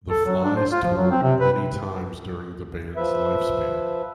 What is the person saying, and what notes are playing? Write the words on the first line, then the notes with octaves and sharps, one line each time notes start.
The Flys toured many times during the band's lifespan.
A4
F#3
D4
C5
F4
F3
F#3
C4
C3
B4
F3 B4 E5